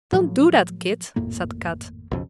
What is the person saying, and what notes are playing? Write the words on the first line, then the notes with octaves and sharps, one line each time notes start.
"Don't do that, Kit," said Kat.
A2 F3 F#3
G#1 F2 A2 A#3
B1 F2 C#3